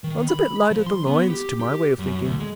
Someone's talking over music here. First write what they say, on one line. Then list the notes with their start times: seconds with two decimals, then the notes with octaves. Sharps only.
"Runs a bit light at the loins, to my way of thinking'."
0.04 D#3
0.29 B5
0.71 F3
0.86 C6
1.07 B3
1.30 G4
1.60 G4
1.99 F#2
2.24 D2
2.40 G#3